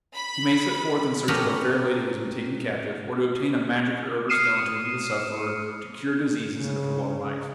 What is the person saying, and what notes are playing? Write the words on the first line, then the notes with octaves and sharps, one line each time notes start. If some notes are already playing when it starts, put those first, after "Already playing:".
He may set forth in search of a fair lady who has been taken captive, or to obtain a magic herb or stone to relieve a sufferer, to cure diseases, and to prolong life.
B5
B3 C#4 G4 A4 A#4
D#6 F6 C7 C#7 D#7 E7
C#3